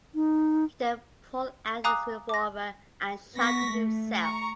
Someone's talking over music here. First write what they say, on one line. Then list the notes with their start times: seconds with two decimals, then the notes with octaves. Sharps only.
He then pulled out his revolver and shot himself.
0.15 D#4
1.84 F5 G#5 A#5 D6 D#6 F#6
2.29 D6 A#6
3.37 B3 C#6 A#6 B6
3.72 A3
4.20 A#5 C#6